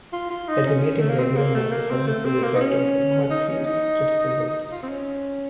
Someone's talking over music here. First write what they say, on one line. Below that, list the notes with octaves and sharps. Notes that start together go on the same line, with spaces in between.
At the meeting, they agreed not to publicly reply to Mahathir's criticisms.
F4
F4
D#4
C#4
A3
A#3
C4
A#3
A3
A#3
C4
A3
C4
A#3
D#4
C#4
D#4
C#4
D#4
F4
C4
C#4